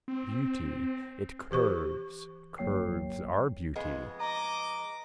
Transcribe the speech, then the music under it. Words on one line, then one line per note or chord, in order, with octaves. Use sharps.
Beauty: it curves: curves are beauty.
C4
E3 G4 C5 C#6
G1 F#3 A#3 C#5 G5 C7
F2 G#3 B3
D#5 A#5 D6